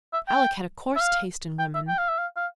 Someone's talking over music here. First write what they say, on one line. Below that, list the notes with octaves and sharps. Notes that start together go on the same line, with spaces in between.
Alec had a coarse taste in women.
E5
G5
E5
F5
G5
E5
G5
F5
E5
F5
F5